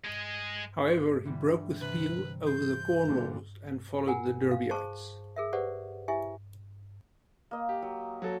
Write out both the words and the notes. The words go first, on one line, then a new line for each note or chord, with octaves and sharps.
However, he broke with Peel over the Corn Laws and followed the Derbyites.
G#3 G#4
D3 E3 G3
C3 B4
C5 G6
G2 A#2 D3
F4 A#4 F#5 G#5
F5
G#4 C5 A5 C#6
G#4 A#4 E5
G4 B4 C5 D5 F#5
E4 G4 E5 G#5
A#3 D#5
G4
F#3
F#3 F#4 A4